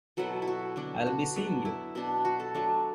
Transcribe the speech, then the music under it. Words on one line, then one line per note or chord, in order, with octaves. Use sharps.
I'll be seeing you.
B2 F#3 B3 E4 A4
E4
F#4
D3 B3 D4
F#4
F#3 B3 D4
E4
B2 B3 D4
F#4
A4
F#3 A3 D4